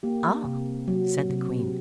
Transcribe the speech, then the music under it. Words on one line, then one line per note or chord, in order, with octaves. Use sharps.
"Ah!" said the queen.
A#3 G4
C3
F#3
C3